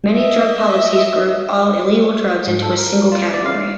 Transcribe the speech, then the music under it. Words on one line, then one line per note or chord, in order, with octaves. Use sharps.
Many drug policies group all illegal drugs into a single category.
D#5 E5
G#2
A4
A#4
F4
D5
F5